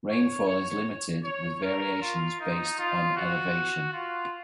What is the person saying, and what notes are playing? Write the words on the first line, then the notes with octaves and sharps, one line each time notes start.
Rainfall is limited, with variations based on elevation.
C#5
C#5
C#5
A#4
F4
D#4
F4
F#4
F4